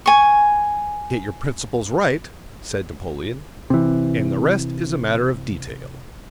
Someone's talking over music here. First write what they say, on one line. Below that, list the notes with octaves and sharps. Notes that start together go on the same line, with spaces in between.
"Get your principles right," said Napoleon, "and the rest is a matter of detail."
G#5 C#6
C3 E3